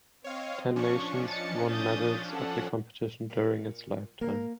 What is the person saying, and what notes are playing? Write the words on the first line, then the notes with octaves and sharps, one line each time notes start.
Ten nations won medals at the competition during its lifetime.
C4 C#5 D#5 F5
F3 C#4 D4 C#6
D#5 A6 C#7
D#6 G6 A6
A4 F#5
A#2
A#3 A#4